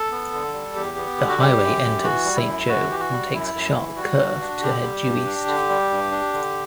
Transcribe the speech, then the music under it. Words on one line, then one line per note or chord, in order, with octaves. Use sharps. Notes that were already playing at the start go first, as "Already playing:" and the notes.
The highway enters Saint Joe and takes a sharp curve to head due east.
Already playing: A4
B3
D3
G3
E2 G4
B3
D3
F#4
G3 G4
F#2
F#2
E3 F#4
G3
E4
F#2
F#2 F#4
E3 G4
F#4
G3
F#2 E4
F#2
E3
G3 F#4
G2
D4
D3 G4
G3
G2
D4
D3
G3
G2
D4
D3